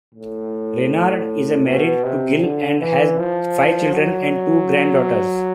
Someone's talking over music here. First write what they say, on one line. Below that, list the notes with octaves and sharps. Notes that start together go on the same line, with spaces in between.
Reynard is married to Gill and has five children and two granddaughters.
A2
B2
C3
D3
E3
F3
F#3